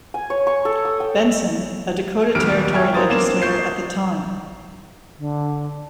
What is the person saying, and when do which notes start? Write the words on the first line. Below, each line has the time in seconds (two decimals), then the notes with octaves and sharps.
Benson, a Dakota Territory legislator at the time.
0.14 G#5
0.30 C#5
0.47 C#6
0.65 A4
0.85 D#6
1.00 G5
2.35 D#1 B1 G3 F6 D7
2.73 E5 G5 G#5 C#6 F6 G#6
2.94 E3 A#4 C5 F5 D#6 A6
3.10 A#3 C4 D4 E7
3.42 C#6 G6 C7
5.18 D3